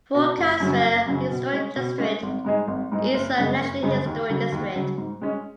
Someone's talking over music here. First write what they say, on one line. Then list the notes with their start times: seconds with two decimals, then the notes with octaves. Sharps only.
Fort Caswell Historic District is a national historic district.
0.14 B2 B3 F#4 B4
0.37 F#1
0.60 F#2 C#3 F#3 C#4
0.84 F#1
1.06 F#2 C#3 F#3 C#4
1.30 B2
1.53 G#3 C#4
1.76 B2
1.98 G#3 C#4
2.22 G#1
2.44 G#2 G#3 D#4 G#4
2.67 G#1
2.92 G#2 G#3 D#4 G#4
3.14 F#1
3.38 F#2 C#3 G#3
3.60 F#1
3.83 F#2 C#3 G#3
4.06 D#2
4.29 C#3 F#3
4.52 D#2
4.76 C#3 F#3
4.98 G#2
5.21 G#3 C#4